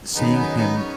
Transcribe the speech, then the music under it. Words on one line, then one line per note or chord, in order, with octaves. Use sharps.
Seeing him
D#3 F#3 B3 C#4 D#4 G#4
B3 D#4
B3 D#4
C#4